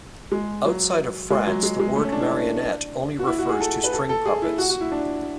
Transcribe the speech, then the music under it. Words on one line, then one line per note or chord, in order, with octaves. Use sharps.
Outside of France, the word "marionette" only refers to string puppets.
G#3
F#3
G#3
F#3
G#3
G#3
A3
C#4
D4
E4
D4
F#4
E4
F#4
G#4
A4
B4
A4
A4
G#4
E4
F#4
F#4
E4
D4